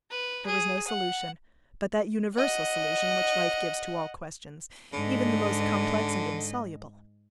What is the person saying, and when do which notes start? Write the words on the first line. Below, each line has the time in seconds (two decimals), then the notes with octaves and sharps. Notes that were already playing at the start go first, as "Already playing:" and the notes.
There was no solution, but that universal solution which life gives to all questions, even the most complex and insoluble.
0.10 B4
0.46 G#4
0.87 F#5
2.36 D#5 F#5
4.94 G#2 D3 D#5